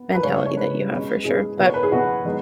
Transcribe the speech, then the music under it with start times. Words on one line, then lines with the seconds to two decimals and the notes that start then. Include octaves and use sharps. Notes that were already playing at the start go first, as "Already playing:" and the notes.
mentality that you have, for sure. But,
Already playing: B3
0.14 B4
0.23 C#3 G#3 C#4 C#5
0.34 C#5
0.46 C#5
0.57 C#3 G#3 C#4 B4
0.91 B2 G#3 C#4
1.24 B2 G#3 C#4 G#4
1.58 B2 B3
1.66 C#5
1.74 B4
1.83 G#4
1.92 B2 B3 F#4
2.25 D#3 G#3 B3